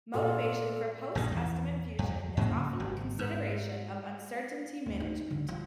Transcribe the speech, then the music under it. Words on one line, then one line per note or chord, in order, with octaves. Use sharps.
Motivation for post-estimate fusion is often consideration of uncertainty management.
A#2 A4
A#1 G2 D#3
E2
F2
G#2 C#3 F#3 A#3
G#1
G#2
D2
D#4
D3
F3